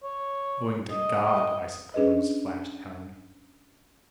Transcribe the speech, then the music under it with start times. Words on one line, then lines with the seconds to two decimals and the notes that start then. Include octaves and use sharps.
"Owing to God, I suppose," flashed Helen.
0.03 C#5
0.90 D#5
1.94 C#4 D4 G#4 B4 D#5